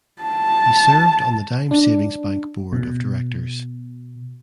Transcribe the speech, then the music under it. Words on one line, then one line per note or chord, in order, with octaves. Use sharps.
He served on the Dime Savings Bank board of directors.
A5
D4
B2